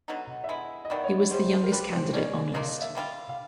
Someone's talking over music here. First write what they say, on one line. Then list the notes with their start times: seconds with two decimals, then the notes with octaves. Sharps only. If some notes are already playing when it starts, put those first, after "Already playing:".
He was the youngest candidate on list.
0.08 D3 F#3 B3 D#4
0.44 E5
0.48 G#3 B3 E4 D#5
0.85 D#5
0.90 C3 D#3 F#3 B3 D5
1.04 C#5
1.18 C#5
1.31 C3 D#3 G3 C5
1.63 A#4
1.72 G3 A#3 D4 B4
1.93 C5
2.13 D#3 G#3 C#4 D5
2.54 C#3 F3 A#3 D4 D#5
2.68 D#5
2.82 E5
2.95 D3 G3 C4 F4
3.29 F5